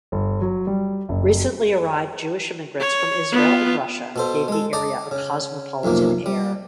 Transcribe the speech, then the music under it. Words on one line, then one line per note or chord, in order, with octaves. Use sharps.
Recently arrived Jewish immigrants from Israel and Russia gave the area a cosmopolitan air.
G1
F#3
G3
F#1
C#5
B3 F4
B2 A4 C5
G#3 A4
D5 D#5 A5 A#5
C#3
B1 F2 C3 A#3
G3